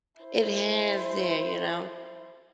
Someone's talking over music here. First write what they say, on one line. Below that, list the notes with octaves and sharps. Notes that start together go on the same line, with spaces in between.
It has there, you know?
E4 C5